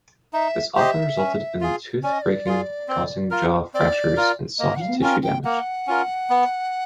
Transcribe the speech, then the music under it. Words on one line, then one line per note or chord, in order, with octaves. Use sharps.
This often resulted in the tooth breaking, causing jaw fractures and soft tissue damage.
D#4 E5
G4 C5 D#5 E5
C#4
F4 G#4
C#4 D5
D#5
D5
F4 G#4
C4
F4 A#4
C4 D5
F4 A#4
A#3 D#5
F#5
F5
C#4 F4 A#4 G5
G5
A#3 F#5
C#4 F4 A#4
B3